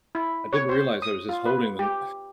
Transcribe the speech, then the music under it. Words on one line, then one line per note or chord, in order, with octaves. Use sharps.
I didn't realize I was just holding the kn
E4
C#5
C5
D#6
F4
B4
G4